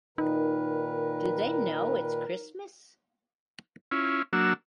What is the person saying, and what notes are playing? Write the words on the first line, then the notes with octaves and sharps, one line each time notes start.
Do They Know It's Christmas?
A#2 D#3 D#4 A#4 B4
C#4 E4 F4
F#3 A#3 D4 F#4 E6